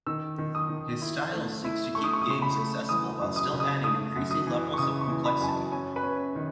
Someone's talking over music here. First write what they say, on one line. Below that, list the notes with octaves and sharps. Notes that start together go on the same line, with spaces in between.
His style seeks to keep games accessible while still adding increasing levels of complexity.
D#3 E6
D#3
D#6
D#3
E4
A3
E4
A3 C#6
D#6
C#6
D#6
C#3 C#6
B5
A3
E3 D#6
F#2
D#6
C#3
D#6
A3 D#6
F#2
D#6
E3
C#6
C#3 D#6
C#6
E3
B5
F#2 G#5
A5
C#4 G#5
B4
C#4
D#3